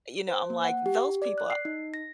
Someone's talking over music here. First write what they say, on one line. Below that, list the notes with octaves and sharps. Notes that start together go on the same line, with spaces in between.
you know, I'm like "Those people
C5
A#3
F#5
G4
D5
F#6
C7
D#4
A#6